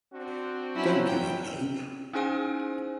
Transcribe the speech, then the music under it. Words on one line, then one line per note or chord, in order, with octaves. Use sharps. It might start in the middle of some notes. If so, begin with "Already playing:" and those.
Don’t give up hope.
C4 D4 F#4
F#3 C#4 E4
G5
C#4 D#4 E4 G#4 C5 G#5